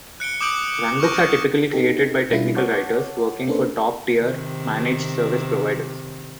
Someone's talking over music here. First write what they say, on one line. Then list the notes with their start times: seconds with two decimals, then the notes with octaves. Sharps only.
Runbooks are typically created by technical writers working for top tier managed service providers.
0.20 F#6 C#7 D7 G7
0.41 D6 D#6 G6 D7 F#7
0.68 F#7
1.00 C#6 D6 F6 G6 A#6
1.15 F6 G6
1.72 B3 D#4 G4 A4
2.30 B2 G3 C#4 D4 E4 F4
2.56 C#5 F#5 A5 D6
3.48 A#3 C#4 D4 A4 B4 C5
4.16 C3 D#3